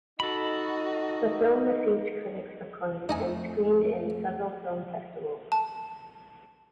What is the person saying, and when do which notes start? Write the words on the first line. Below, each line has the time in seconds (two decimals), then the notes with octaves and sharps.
The film received critics acclaim and screened in several film festivals.
0.20 D#4 F#4 A4 D#5 B5
3.09 F2 A3 D#4 D#5 G#5
5.52 A5